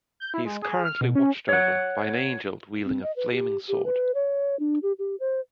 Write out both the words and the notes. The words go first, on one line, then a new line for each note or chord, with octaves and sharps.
He is currently watched over by an angel wielding a flaming sword.
G6
E4
G#3
G#4
F6
B2
C#4
C#5 F#5
C4
D#5
B4
G4
G4
B4
C#5
D4
G4
G4
C5